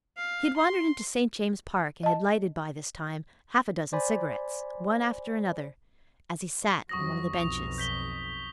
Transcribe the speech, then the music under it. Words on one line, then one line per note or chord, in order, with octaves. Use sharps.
He had wandered into St. James's Park, and had lighted by this time half-a-dozen cigarettes one after another, as he sat on one of the benches.
F5
C6
D#5 A5
C5 D5 G#5 B5
F2 F#3 C#6 D#6 A#6
B1 F2 F7
G6 B6 G7